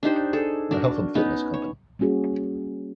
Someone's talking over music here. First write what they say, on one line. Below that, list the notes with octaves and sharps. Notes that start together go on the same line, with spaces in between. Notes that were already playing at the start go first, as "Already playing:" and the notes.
A health and fitness company.
D4 D#4 G4 C5
G#4 A4
D4 F#4 A#4
B3 C#4 D#4
C#5
G3 A#3 C#4 F#4 G#4